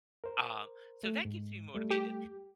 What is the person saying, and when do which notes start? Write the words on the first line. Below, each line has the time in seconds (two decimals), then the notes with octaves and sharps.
Uh, so that keeps me motivated,
0.24 A#4 C5
1.03 A3
1.25 G#2
1.74 G3 A3
1.90 G4